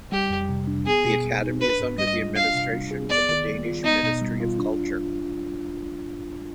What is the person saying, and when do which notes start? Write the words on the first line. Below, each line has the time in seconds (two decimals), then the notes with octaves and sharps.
The academy is under the administration of the Danish Ministry of Culture.
0.12 G3 G4
0.30 F2
0.49 C3
0.67 D4
0.86 B3 G#4
1.05 B2
1.24 G3
1.42 D#4
1.61 D4 B4
1.79 G#2
1.98 G3 D#5
2.17 F4
2.35 D4 F5
2.54 C3
2.73 G3
2.91 G#4
3.10 B3 D5
3.29 D#3
3.47 G3
3.66 F4
3.84 B3 D#4
4.03 B2
4.21 G3
4.41 F4
4.59 D4